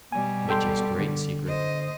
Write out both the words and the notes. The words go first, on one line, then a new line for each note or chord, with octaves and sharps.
Mitya's Great Secret.
B2 G3 G#5
A4 G5 C6
D3
C5 D#5